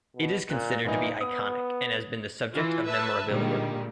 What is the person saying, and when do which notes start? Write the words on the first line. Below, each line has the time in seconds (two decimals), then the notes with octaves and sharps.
It is considered to be iconic, and has been the subject of memorabilia.
0.15 B2
0.50 A#2 F#6
0.85 A#2 E3 A#3 D#4
1.21 B3 D#6
2.52 E3 F4
2.85 B4 E5 A5
3.30 A#2 D3 D#3 G3 G#3